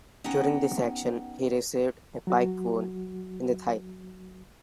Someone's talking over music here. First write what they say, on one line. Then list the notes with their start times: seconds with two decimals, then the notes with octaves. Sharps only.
During this action, he received a pike wound in the thigh.
0.24 B3 C#4 D#4 G4 F#5 G5
2.27 F#3 F#4